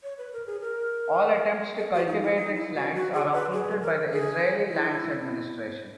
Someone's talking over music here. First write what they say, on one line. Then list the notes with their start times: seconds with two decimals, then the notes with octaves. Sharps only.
All attempts to cultivate its lands are uprooted by the Israeli Lands Administration.
0.03 C#5
0.18 B4
0.33 A#4
0.47 G#4
0.61 A#4
1.77 G#4
1.93 F#4
2.07 D#4
2.22 E4
2.36 D#4
2.55 E4
2.75 F#4
2.94 F#4
3.14 G#4
3.33 B4
3.52 G#4
3.81 A#4
4.11 G#4
4.69 E4